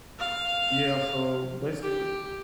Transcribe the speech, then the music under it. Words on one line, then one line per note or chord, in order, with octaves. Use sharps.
Yeah, so basically
F5
G4